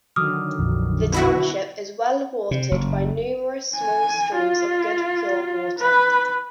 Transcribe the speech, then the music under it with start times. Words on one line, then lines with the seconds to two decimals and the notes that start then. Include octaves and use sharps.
The Township is well watered by numerous Small Streams of good pure water.
0.16 D3 D#3 F#3 D6 D#6 F6
0.59 A#1 F2
1.12 B2 E4 F#4
2.51 C3
2.71 F#1
3.75 G#5
4.35 F4
5.79 B4